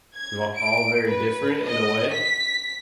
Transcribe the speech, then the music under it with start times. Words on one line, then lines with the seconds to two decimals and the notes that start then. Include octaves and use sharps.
va all very different in a way,
0.16 G#6
0.56 D7
1.07 B4
1.66 D#5
2.12 B6